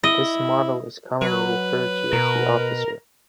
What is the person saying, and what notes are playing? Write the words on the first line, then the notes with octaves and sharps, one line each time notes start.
This model is commonly referred to as the "Officer".
E4 D#5
F#3 B4
B2 A#4